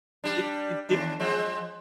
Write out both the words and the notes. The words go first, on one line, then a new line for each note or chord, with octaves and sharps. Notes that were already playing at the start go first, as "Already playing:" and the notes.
Did did di
G3 D4
D#2 D4
F3 G#3 C4